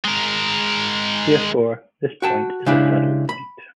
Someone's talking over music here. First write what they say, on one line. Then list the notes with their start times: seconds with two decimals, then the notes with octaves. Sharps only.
Therefore, this point is a saddle point.
0.05 G#3 A#4
2.22 F#4 G5 A5
2.66 C#3 G#3 D4 E4 G4
3.29 B5